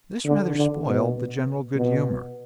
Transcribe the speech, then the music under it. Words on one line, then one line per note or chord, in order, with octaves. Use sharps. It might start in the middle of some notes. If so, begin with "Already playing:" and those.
This rather spoiled the general good humor.
D3
D3
B2
B2